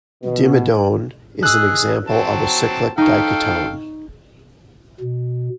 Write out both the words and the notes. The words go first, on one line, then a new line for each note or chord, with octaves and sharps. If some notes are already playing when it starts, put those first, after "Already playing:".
Dimedone is an example of a cyclic diketone.
B2
G#4 D#5 E6 F#6
F#3 C4 A5
D#4 A4 F5 G5 C#6
B2